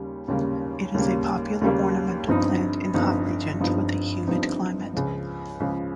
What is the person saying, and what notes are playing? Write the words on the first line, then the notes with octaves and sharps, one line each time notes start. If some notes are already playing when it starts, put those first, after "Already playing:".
It is a popular ornamental plant in hot regions with a humid climate.
Already playing: D#2 C#3 G3
D#2 C#3 G3 A#3
D#2 C#3 G3 A#3
D#2 C#3 G3 A#3
G1 G2 F3 C4 D#4
G1 G2 F3 C4 D#4
G1 G2 F3 C4 D#4
G1 G2 F3 C4 D#4
C#2 C#3 F3
C#2 C#3 F3